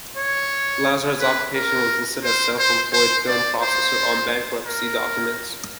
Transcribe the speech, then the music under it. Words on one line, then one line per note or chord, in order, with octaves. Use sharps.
Lazar's occupation was listed as self-employed film processor on bankruptcy documents.
C#5
B4
A#4
C5
C5
C5
D5
C5
A#4